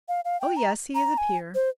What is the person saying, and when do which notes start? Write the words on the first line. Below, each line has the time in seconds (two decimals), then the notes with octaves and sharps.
"Oh, yes, he is a peer."
0.09 F5
0.25 F5
0.41 G5
0.57 A#5
0.95 A#5
1.18 G#5
1.55 C5